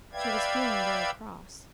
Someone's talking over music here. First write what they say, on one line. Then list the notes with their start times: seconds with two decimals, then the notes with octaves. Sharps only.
She was feeling very cross.
0.13 B4 D5 E5 F5 G5 G#6